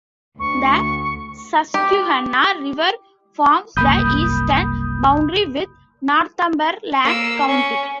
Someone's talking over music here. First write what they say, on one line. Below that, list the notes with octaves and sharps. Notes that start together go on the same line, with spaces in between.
The Susquehanna River forms the eastern boundary with Northumberland County.
D2 C#6
G4
F#1 C2 A#3 B5 D#6 G6
A#3 E6
C#4